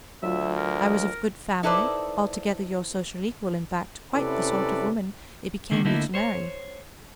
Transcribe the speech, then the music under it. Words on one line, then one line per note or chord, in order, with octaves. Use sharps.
I was of good family--altogether your social equal, in fact, quite the sort of woman it became you to marry.
D2 F#3 F4 E5
A#4
D#4 E4 A4 B4 C5 D5
C3 C#4 E4 A4 B4 D5
D3 D#3 A#3
D3 A3 A#3 D#4 E4
C5 C#5